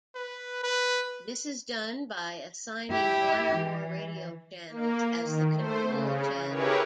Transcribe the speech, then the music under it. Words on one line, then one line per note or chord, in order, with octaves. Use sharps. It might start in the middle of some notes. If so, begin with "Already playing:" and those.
This is done by assigning one or more radio channels as the "control channel".
B4
B4
E4 G4
E3
A#3
D#3
A3 C5
C#3
E4 G4 G#4 A#4 B4 C#5